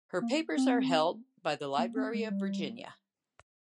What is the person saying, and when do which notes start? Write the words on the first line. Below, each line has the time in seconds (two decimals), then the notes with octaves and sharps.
Her papers are held by the Library of Virginia.
0.21 A#3
0.56 C4
1.78 A#3
1.96 C4
2.14 G#3
2.30 G3